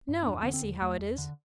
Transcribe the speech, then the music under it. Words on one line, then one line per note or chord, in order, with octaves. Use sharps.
No; I see how it is.
G2
C4
E2 D4
D3 B3
C4
E2
E2 A3
E2
D3